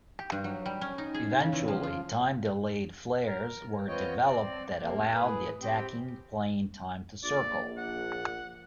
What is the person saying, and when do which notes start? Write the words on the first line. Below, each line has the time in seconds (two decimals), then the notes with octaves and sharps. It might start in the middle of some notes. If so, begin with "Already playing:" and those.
Eventually time delayed flares were developed that allowed the attacking plane time to circle.
0.19 G4
0.32 G2
0.44 F#3
0.66 G3
0.81 C#4
0.98 D#4
1.14 G#4
1.40 C#3
1.53 E2
1.68 F3
1.83 F4
3.26 A#4
3.88 B3 C4 F4 C#5 D#5 G5
4.24 C4 D5
4.81 C3 A#3
5.14 A2 G#4 B4
5.61 C4 G4
7.24 A#1 D5
7.78 F#5